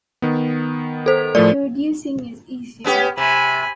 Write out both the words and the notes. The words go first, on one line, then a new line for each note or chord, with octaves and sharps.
Producing is easier.
D#3 B3
A4 C5
A2 F3 A3 A#4 D5
B3 C#4 G4
C3 G#5 B5